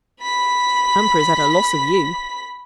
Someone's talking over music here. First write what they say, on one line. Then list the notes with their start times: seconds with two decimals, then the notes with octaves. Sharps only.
Hamper has had a loss of you.
0.22 B5 B6